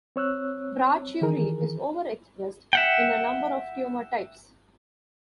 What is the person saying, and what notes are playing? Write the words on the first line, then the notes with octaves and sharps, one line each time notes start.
Brachyury is overexpressed in a number of tumor types.
C4 C#5 E6 F#6
D#3 E3 G#4 A#4
E5 F#5 G5